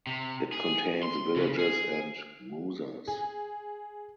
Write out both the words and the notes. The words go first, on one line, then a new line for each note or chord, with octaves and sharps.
It contains villages and mouzas.
C3
G#4
C6
C#3
G#4
G#4